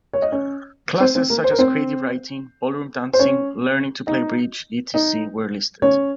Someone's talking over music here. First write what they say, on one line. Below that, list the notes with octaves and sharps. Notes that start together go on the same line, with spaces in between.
"Classes" such as creative writing, ballroom dancing, learning to play bridge, etc., were listed.
C#5
D#5
C#4 C#5
C4 C5
C4 C5
A#3 A#4
C5
A#4
C4 C5
C5
C#4 C#5
D#4 D#5
D#4 D#5
C#4 C#5